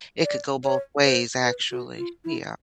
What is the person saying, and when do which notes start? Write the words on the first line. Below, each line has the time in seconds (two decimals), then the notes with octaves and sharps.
it could go both ways actually. Yeah.
0.24 D5
0.64 C#5
1.04 C5
1.43 B4
1.71 F#4
1.98 F4
2.25 E4